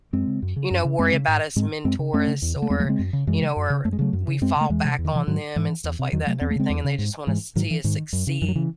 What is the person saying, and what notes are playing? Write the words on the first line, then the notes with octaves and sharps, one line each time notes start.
you know, worry about us, mentor us or, you know, or we fall back on them and stuff like that and everything, and they just wanna see us succeed.
F#2 G#3 C4
C#3
F#2
C#3
F#2
C#3
F#2 G#3 C4
C#3
G#2
G#2 G#3 C4
F#2 G#3 C4
C#3
F#2 A3 C#4
C#3
E2
C#3
A3
E2 G#3 C4
F#3 A3
C#3 G#3 C4
F#2
C#3
F#2 E3 G#3
C#3
F#2
C#3
F#2 A3
G#3
C#3 F#3 A3
F#2
C#3
F#2 G#3 C4
C#3 A3
E2 E3 G#3
C3
E2
D#3
C3 E3
G#2 D#3 F#3
G#2 E3
E2
C3
E2 D#3 F#3
C3 F#3 A3
E2 C4
A3
C#3 G#3 C4
E2
C#3
G#2
G#2 E3 G#3
G#2 D#3 F#3
E3
G#2 D#3
F#2
C#3
F#2 E3
F#3
C#3 E3